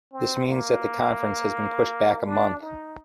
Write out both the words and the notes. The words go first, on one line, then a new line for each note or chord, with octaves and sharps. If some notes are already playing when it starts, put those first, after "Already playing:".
This means that the conference has been pushed back a month.
C4
A#3
D4
D#4